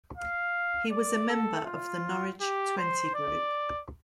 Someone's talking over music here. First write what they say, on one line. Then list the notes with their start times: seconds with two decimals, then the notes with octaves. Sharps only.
He was a member of the Norwich Twenty Group.
0.17 F5
0.91 D5
1.29 A4
1.66 F4
2.40 G4
2.77 C5
3.14 D5